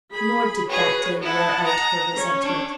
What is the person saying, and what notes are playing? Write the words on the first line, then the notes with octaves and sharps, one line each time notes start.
Nor did that day wear out her resentment.
G#4 B5
F#4 G#4 B4 C#5
E4 D#5 F#5 A5
A#5
C#4 C#5
D4